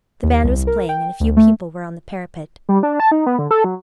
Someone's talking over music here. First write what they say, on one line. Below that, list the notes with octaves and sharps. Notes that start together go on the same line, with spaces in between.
The band was playing, and a few people were on the parapet.
D#2
C2
A#4
G5
D2
A3
G3
D4
A5
D#4
B3
D3
A4
F#3